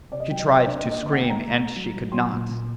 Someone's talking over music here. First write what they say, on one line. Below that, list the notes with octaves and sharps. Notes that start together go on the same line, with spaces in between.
She tried to scream and she could not.
C3 D5
D#5
F#3 G5
D#5
C3 D5
C5
D4 D5
D#5
A#3
D#5
D3 D#5
F#5
A#3 G5
A#5
A3
A3
F#3
F#3
F#3 C6
A#2
A#2